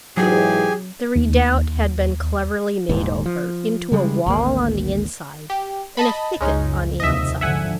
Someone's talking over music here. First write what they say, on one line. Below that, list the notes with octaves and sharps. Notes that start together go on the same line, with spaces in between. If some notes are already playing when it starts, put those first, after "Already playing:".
The redoubt had been cleverly made over, into a wall on the inside and a thicket on the outside.
G#2 E3 F#3 G4 G#4 G#5
D#2
D#1 D#2 G#2
F3
C#3 G3 G#3
G#1 D2 A#3
G4
D#5 A5 B5
C#2 F#2 G#3 C#4 D#4
D#2 C3 F3 D#5 E5
G#1 D3 F3 E5 F#5 G#5